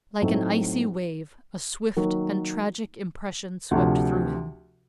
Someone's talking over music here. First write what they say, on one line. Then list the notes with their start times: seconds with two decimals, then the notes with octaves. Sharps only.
Like an icy wave, a swift and tragic impression swept through him.
0.22 A2 F#3 A3 C4 D#4
1.96 D#3 F#3 A#3
3.71 D2 C3 F3